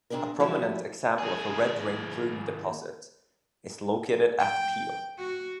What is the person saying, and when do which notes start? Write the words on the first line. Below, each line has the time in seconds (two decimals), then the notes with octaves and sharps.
A prominent example of a red-ring plume deposit is located at Pele.
0.10 A#2 C4 D4 G#4 A#4
0.40 F3 G3 G#3 C#4 E4 F#4
1.19 D#2 G#4
4.40 G5
5.19 F#4